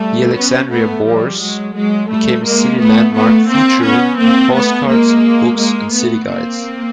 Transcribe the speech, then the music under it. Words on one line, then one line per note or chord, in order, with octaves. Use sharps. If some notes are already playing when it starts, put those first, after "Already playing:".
The Alexandria Bourse became a city landmark featuring in postcards, books and city guides.
Already playing: G3 A3
B3 C#4
A3 B3
F3 G3
F#3 G#3
F#3 G#3
G3 A3
G#3 A#3
A3 B3
A3 B3
A#3 C4
B3 C#4
A#3 C4
A3 B3
G#3 A#3
G#3 A#3
A3 B3
A#3 C4